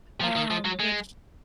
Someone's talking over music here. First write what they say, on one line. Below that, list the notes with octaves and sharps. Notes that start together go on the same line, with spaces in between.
um, which
F3
D#3
F3
F#3
G#3